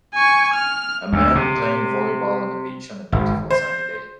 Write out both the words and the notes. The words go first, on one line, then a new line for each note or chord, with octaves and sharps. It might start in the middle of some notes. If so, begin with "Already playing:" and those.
A man playing volleyball on a beach on a beautiful sunny day.
G#5 C#6
F6
D2
C3
G#1
C5